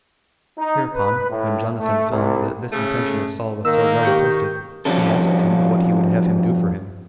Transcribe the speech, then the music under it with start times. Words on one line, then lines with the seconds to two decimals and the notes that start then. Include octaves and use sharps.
Hereupon, when Jonathan found that this intention of Saul was so well attested, he asked him what he would have him do for him.
0.57 D#4
0.94 B4
1.30 A2
1.78 A3
2.09 C2
2.72 C#3 A3
3.65 D#3 A#3 E6
4.03 G4 C#6 G6
4.85 F2 B2 F3 G3 C#4 A4